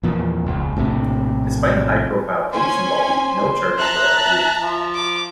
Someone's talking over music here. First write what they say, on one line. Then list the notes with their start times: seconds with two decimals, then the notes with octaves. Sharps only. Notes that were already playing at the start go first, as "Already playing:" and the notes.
Despite a high-profile police involvement, no charges were ever made.
0.03 E2 A#2 F3
0.46 E1 C#2
0.76 A#1 A2 C3
2.52 C#4 C5 G#5
3.78 E5 A5 A#5 F#6
4.60 F3
4.95 D6